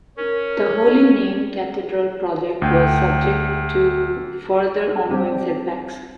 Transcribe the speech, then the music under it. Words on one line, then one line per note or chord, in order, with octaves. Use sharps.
The Holy Name Cathedral project was subject to further ongoing setbacks.
C#4 A#4
D2 G5
G3 C4 D4 G4